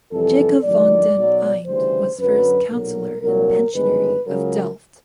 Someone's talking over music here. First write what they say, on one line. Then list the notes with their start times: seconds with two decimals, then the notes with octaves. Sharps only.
Jacob van den Eynde was first Councilor and Pensionary of Delft.
0.12 F2 C3 E3 G3 A4
0.63 A1 G2 D#3 F#3 D5
1.16 B1 B2 F#3
1.66 D2 C#3 E3 G3 C5
2.18 F#2 D3 F#3 B4
2.71 B1 A#2 F#3 A#4
3.22 C2 A#2 F#3 A#4
3.74 G1 F#2 D#3 G#3 B4
4.25 C#2 C#3 F#3 A#4